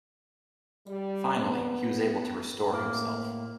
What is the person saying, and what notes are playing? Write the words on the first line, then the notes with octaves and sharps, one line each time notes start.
Finally, he was able to restore himself.
G3
B3
A2 A#3